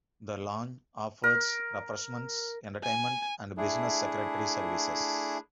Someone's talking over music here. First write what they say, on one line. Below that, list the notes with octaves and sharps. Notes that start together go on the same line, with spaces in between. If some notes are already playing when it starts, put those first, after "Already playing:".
The lounge offers refreshments, entertainment and business secretary services.
A#4
G#5
A3 D4 E4 G#4